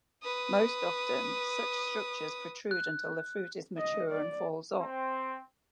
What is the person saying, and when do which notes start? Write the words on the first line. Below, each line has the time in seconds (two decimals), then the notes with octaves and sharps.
Most often such structures protrude until the fruit is mature and falls off.
0.23 B4 D#6
2.71 F#6
3.78 D#5
4.12 D5
4.80 C4